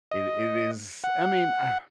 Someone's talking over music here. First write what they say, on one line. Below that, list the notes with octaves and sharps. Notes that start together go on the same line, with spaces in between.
It it is I mean, um,
D#5
F#5